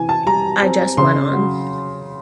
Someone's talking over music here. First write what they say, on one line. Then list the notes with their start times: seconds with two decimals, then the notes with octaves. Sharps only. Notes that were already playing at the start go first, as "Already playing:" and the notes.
I just went on.
Already playing: C3 E3 G#5
0.09 A5
0.26 G3 A#5
0.62 C4
0.97 C#3 C6
1.33 F#3